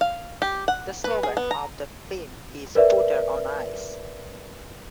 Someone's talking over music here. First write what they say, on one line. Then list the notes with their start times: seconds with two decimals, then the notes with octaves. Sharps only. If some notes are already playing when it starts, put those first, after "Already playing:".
The slogan of the film is Putter on Ice.
0.01 F5
0.42 G4
0.68 F#5
1.04 B4
1.23 G#4
1.37 B3
1.51 A#5
2.75 A#4 B4 D5 E5